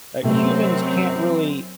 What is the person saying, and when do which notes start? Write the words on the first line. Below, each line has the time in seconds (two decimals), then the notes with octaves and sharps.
uh, humans can't really
0.23 F#2 C3 A3 C4